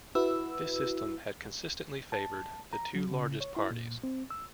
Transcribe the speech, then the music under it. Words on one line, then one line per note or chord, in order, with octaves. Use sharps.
This system had consistently favoured the two largest parties.
E4 F#4 B4 E6
A5
A#5
F#3
C#3
C#5
E4
A#2
C4
E6